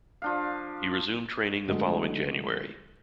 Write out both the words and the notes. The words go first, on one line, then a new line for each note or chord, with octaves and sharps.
He resumed training the following January.
F3 D4 F5
D3 F#3 G#3 A3